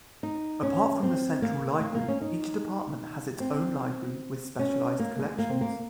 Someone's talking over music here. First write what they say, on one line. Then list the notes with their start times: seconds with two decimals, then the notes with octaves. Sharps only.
Apart from the central library, each department has its own library with specialized collections.
0.23 D#4
0.63 C#4
1.03 C4
1.42 A#3
1.81 A#3
1.95 A#3
2.08 C#4
2.21 D#4
3.40 C4
4.59 C#4
4.99 A#3
5.19 G#3
5.39 A#3
5.50 C4
5.61 A#3